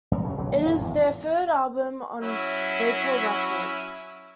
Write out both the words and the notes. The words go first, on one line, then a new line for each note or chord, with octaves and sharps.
It is their third album on Vapor Records.
E2
C#3 F#3
B1 C#3 F#3
D#2
F2 A2 C3
G#1 E2
F#3 C#4 E4